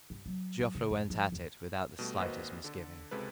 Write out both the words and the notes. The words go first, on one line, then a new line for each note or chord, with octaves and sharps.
Joffre went at it without the slightest misgiving.
G2
F#3
F#3
C#3
F2
F3
E2
B2 G3 A3
G#1 A#3 F#4 B4 C5 D#5
D3 A4
C#2 C3 G#3 A4 B4